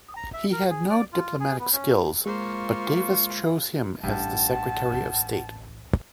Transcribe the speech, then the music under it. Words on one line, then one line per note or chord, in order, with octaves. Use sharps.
He had no diplomatic skills but Davis chose him as the Secretary of State.
A#5
E5
A#4
G#4
D5
F4
G#4
B3
C#4
G#3 A#3 F4 C5 C#6
A1 G2 F#5 A5